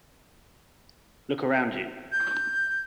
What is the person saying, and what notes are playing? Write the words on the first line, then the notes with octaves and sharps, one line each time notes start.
Look round you.
G6